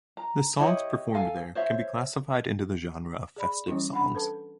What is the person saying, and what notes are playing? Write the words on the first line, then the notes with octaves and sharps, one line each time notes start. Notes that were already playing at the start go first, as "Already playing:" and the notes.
The songs performed there can be classified into the genre of festive songs.
A#5
E4 G4 C#5 D#5
A4 F5 G#5
C5 C#5 E5
G#4 D5 B5
E3 G3 C#4 E4
D4 F#5 B5 C6
A4 B4 A5